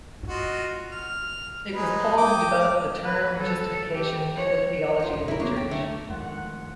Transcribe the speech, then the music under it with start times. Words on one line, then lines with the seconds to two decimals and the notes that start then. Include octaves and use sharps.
It was Paul who developed the term justification in the theology of the church.
0.28 F4 F#4 D#5
0.92 F6
1.73 G#3 D#4 B4
2.17 G5 D6 D#6
3.04 B4
3.39 A4
3.94 G4
4.36 C#5
5.00 D#4 F4
5.13 E1
5.28 F#2 C#3 E4 A#4
5.39 D2 F#3 A#3 B3 C#5
5.56 G5
5.71 D3 A3
6.08 F2 D#3 G#3 A3 F4 F#5